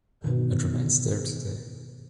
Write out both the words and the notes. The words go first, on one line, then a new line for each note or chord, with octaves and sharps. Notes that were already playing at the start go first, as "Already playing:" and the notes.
It remains there today.
B2 D#3